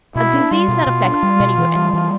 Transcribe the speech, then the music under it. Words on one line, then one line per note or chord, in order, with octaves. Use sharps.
A disease that affects many women.
B2 E4
D4
G3 F4
B2
B2
D4
G3
B2
E3
G3
E3